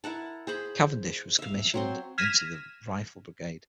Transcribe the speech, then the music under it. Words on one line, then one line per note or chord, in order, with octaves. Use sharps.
Cavendish was commissioned into the Rifle Brigade.
E4 A#4 F#5 A5
G#4 C5 B5
E5 F5
F#3 C4 C6
F6 G#6 A#6 B6 D#7 E7